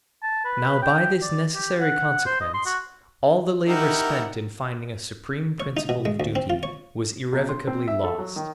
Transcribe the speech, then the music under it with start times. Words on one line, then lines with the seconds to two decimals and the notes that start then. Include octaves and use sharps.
Now by this necessary consequence all the labour spent in finding a supreme principle of duty was irrevocably lost.
0.23 A5
0.45 B4
0.82 G5
1.22 D5
1.55 G4
1.80 F#5
2.26 C5
2.41 D#5
2.54 C6
2.66 F#4
3.68 D#4 E4 G4 A#4 F#5
5.60 C#5
5.77 D#4
5.89 B2
6.05 G#3
6.20 D2
6.35 C4
6.50 F4
6.63 C#5
7.32 B1
7.49 C6
7.67 C4
7.88 E5
8.04 A4
8.18 F#3
8.36 D#3